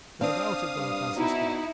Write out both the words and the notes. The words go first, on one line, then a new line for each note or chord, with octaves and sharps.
So about it, Don Francisco.
C4 D4 F5 D#6
G2
B2 D#4 E4